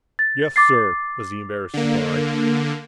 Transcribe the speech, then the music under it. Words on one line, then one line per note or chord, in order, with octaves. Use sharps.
"Yes, sir," was the embarrassed reply.
A6
D6 A6 C7
D3 A#3